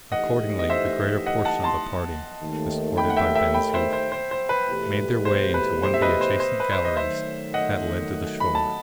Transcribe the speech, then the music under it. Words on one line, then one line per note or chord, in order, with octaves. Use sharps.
Accordingly the greater portion of the party, escorted by Ben Zoof, made their way into one of the adjacent galleries that led to the shore.
E3 A3 D#4 G4 D#5 F#5
D#5
C5 E5
D#5 F#5
F#5 A5
A5 C6
D#2 D#3 A3
G5 B5
F#5
E5 G5
E5 G5
G5 B5
C5 E5
C5
C5
C5
B4
E2 B2 A3 E4 G4
C5
B4
C5
E5
B4 D#5
C5
C5
B4
C5
D#5
D#3 F#3 A3 C5 E5
D#5 F#5
B5
A5